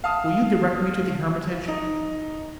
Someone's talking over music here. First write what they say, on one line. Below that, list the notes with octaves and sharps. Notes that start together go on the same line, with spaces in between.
'Will you direct me to the Hermitage?
F5 A5 D#6
D#4